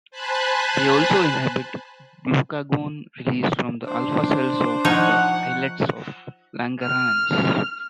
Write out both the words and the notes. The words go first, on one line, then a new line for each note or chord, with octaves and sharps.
They also inhibit glucagon release from the alpha cells of the islets of Langerhans.
C5 G#5 A5 B5 F#6
D4 C5
F3 D#4 C#5 F#5
F6